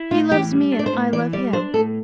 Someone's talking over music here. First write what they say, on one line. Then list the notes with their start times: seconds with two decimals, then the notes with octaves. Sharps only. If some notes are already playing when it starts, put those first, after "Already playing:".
He loves me and I love him.
Already playing: E4
0.11 A2 F4
0.31 E3 G4
0.53 G3
0.72 D4
0.79 D5
0.86 C5
0.93 A2
1.13 E3 D5
1.33 G3 D5
1.53 D4 C5
1.74 A2 A4